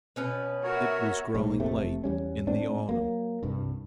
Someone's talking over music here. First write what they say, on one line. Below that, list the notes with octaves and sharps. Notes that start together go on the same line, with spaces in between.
It was growing late in the autumn.
B2 C#4 B4
F#4 A#4 C#5 E5
B1 G#2
F1 C3 A3
E2 G3 C#4
A2 C4 D4
F#3 A#3
C2 G2